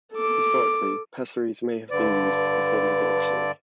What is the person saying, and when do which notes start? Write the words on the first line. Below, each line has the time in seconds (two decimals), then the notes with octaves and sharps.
Historically, pessaries may have been used to perform abortions.
0.12 A4 D6
1.91 G2 D3 B4 D5